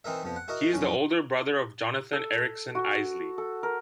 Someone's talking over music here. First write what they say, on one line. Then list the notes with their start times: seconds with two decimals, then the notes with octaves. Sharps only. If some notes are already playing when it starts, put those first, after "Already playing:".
He is the older brother of Jonathan Erickson Eisley.
0.04 E3 C4 D#4 A#4 E5
0.24 F2 F3 B3
0.36 F#5
0.48 E4 F#4 A#4 D#5
0.73 F2 F#3 C#4
2.13 A4
2.75 F#4
3.38 A4
3.63 A#4